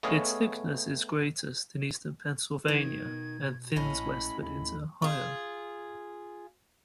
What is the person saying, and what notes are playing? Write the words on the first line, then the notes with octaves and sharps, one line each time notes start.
Its thickness is greatest in eastern Pennsylvania and thins westward into Ohio.
A3 B3 G#4 C#5 D#5 F5
D#3 E3 G#6
B2
A#1 A2 C#4 D#5 B5
D#2 B5
F4 G#4